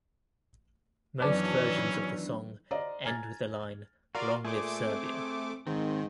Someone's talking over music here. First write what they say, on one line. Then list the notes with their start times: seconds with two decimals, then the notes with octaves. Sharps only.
Most versions of the song end with the line "long live Serbia!".
1.20 F#2 D#3 E3 F#3 B3 C#4 D4
2.71 C5 D5 D#5 F5 A#5
3.04 G#5 A#5 F6 G#6 A6
4.15 F4 F#4 A#4 D5 F5
4.45 A#2 A3 G#4 C5 D6
4.84 C4
5.67 G#2 D#3 C4